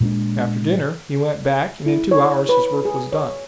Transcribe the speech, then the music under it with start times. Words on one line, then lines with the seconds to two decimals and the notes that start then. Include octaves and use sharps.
After dinner he went back and in two hours his work was done.
0.01 A#2 G#3 C#4 D4
1.86 E4
2.11 C#5
2.49 B4
2.85 G#4
3.12 C#5